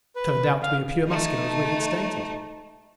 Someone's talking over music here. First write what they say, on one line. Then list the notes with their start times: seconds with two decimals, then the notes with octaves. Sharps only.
He turned out to be a pure Muscular as we had stated.
0.16 B4
0.62 F5
1.07 A3 D#4